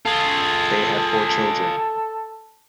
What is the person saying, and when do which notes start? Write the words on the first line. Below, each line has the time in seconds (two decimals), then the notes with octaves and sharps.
They had four children.
0.05 F4 G#4 A4